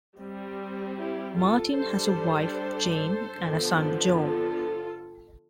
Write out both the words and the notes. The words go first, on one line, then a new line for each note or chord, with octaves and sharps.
Martin has a wife, Jayne and a son, Joe.
G3 C4
E4 G4
F4 A4
G3 D4 A4 C5
D3 F3 B3
F4 A4